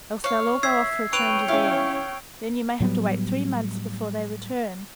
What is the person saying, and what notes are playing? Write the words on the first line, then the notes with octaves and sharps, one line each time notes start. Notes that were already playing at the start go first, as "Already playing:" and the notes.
Else they'll all go off for a change of air; then you may have to wait three months before they return.
C#5 F5
E5 E6 G#6 C7
B4 C#5 G5 C#6 D7 F7
C#4 E4 F5
A2 F#3 G3 B3